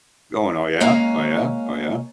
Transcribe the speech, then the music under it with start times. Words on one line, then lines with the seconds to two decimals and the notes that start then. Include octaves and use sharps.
going, "Oh, yeah, oh, yeah, oh, yeah."
0.80 G#3 A#3 C#4 F5 A#5